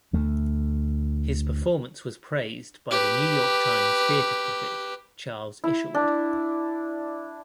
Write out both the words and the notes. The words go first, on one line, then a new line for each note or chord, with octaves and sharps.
His performance was praised by "The New York Times" theatre critic Charles Isherwood.
D2 A3
G4 B4
E4
D4